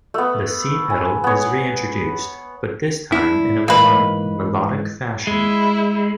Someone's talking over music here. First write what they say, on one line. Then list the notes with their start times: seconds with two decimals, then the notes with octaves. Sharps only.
The C pedal is reintroduced, but this time in a more melodic fashion.
0.14 A3 B3
0.90 G#5
1.24 B3 C#5
3.12 D4 E4
3.68 G#2 E3 A#3 B4 C5
5.27 G#3 E4